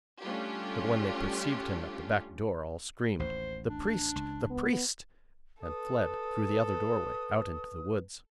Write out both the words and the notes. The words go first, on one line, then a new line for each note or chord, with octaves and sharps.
But when they perceived him at the back-door all screamed, "The priest! the priest!"--and fled, through the other doorway, out into the woods.
G3 A3 C#4 D4 F4 G4
A1 D#2 C5
D4
C#2
B3
A4 B4 D#6